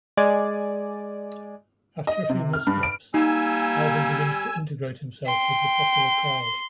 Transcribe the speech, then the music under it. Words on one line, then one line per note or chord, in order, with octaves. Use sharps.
After a few missteps, Alvin begins to integrate himself with the popular crowd.
G#3 D5 G#5
D#5
C3
F6
G2
D7
G3 A#3 D#4 G#5 E6
G5 C6